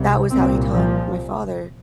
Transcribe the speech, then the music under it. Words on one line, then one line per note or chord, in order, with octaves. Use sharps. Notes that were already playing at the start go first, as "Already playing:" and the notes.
that was how he taught my father
Already playing: C2 C3
C2 A#2 C4
F3